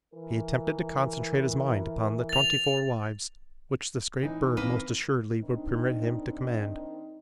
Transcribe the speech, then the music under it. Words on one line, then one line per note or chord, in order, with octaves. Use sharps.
He attempted to concentrate his mind upon the twenty-four wives which this great bird most assuredly would permit him to command.
E3 A#4
A6 F7
E3 D#4
A#3 C4 B4
D#3 C4 D4 D#4